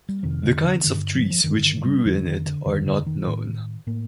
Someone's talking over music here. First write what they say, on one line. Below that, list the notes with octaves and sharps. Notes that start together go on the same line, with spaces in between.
The kinds of trees which grew in it are not known.
G3
F2 C3 D#3
D3
D3
G2 D3 D#3
F3
F3
G2 D3 D#3
D#3
G3
F2 D3 F3
D#3
D3
F2 D3 D#3
D3
D#3
A2
A2 A#3